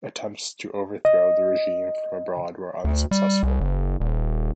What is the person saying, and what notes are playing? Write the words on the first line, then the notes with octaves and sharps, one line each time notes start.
Attempts to overthrow the regime from abroad were unsuccessful.
D#5
D2
G3
C2
F#1
D#1